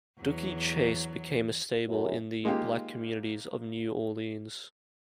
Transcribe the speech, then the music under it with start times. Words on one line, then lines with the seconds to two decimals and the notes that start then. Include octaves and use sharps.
Dooky Chase became a stable in the black communities of New Orleans.
0.18 E2 F#3
1.88 F#2
2.44 D#3 G#3 A#3 F4 G4